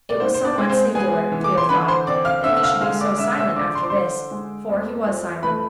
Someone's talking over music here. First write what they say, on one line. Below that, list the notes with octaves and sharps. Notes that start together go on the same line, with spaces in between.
It was somewhat singular, Theo thought, that he should be so silent after this, for he was silent.
D5
G#2 C4 C5
C5
D4 D5
G#3
C4 C5
B3 G#4 G#5
E3
D6
C6
D3 B4 B5
C5 C6
C4 D5 D6
F5 F6
D3 E5 E6
E6
F5 F6
G#3 F5 F6
D5 D6
D3 E5 E6
E5 E6
D4 D5 D6
C6
D6
D3 C5 C6
G#3
F2
F3
A3 B4 B5